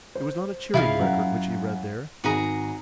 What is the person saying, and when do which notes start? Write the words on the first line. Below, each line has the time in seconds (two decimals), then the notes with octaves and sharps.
It was not a cheering record which he read there.
0.15 C5
0.74 C#2 E4 F4 F5
0.99 F#2 F#5 A#5
2.24 G#1 F#4 G#4 A#5